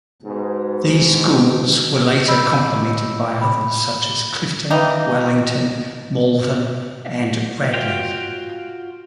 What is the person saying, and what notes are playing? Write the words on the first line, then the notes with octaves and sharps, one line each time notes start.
These schools were later complemented by others such as Clifton, Wellington, Malvern and Radley.
G#2 B2
D#5 B5 E6 G6
B5
E3 G3 A#3 D#4
F4 F#4 F5 G5